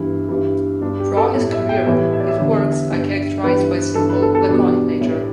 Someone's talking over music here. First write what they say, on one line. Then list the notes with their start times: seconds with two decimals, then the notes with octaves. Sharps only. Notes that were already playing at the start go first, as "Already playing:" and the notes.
Throughout his career, his works are characterized by a simple, laconic nature.
Already playing: G2 E3 G3 E4
0.29 G2 E3 G3
0.81 G2 G3 D4
1.00 G4
1.17 A4
1.35 A2 G3
1.52 E5
1.69 G5
1.87 A2 E3 G3 E5
2.13 E5
2.20 D5
2.28 E5
2.38 E2 D3 G3
2.91 G2 G3
3.44 G2 E3 G3 B4
3.95 G2 E3 G3 A4
4.09 B4
4.22 A4
4.35 A4
4.49 E2 B2 G3 D4
5.01 A2 G3